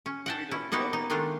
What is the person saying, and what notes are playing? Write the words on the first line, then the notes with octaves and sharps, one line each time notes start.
you either love it,
C#4
F#5 G5 A5
C#4 E4
A#3 B3 D#4 F#4 G4
D#4
D#3 G#3 A3 D4 F4